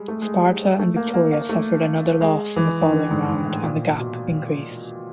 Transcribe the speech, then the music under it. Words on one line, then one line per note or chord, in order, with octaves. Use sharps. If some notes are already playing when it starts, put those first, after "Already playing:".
Sparta and Viktoria suffered another loss in the following round and the gap increased.
Already playing: G3 G#3
A3
G#3
G3
G#3
A3
A#3
A#3
A#3
A3
G#3
E3
D#3
D3
G#2
G#2
A2
A#2
B2